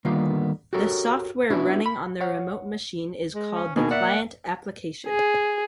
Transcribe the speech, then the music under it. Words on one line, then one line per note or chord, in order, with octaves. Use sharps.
The software running on the remote machine is called the client application.
D3 D#3 G3 A#3 B3 F4
F#4 G4 A4 A#4 C#5
B3 C#4 D4 E4 F#4 B4
B5
C#5 F#5
G#3
C#4
B2 D#3 A#3 G#4
D5 E5 F#5
G#4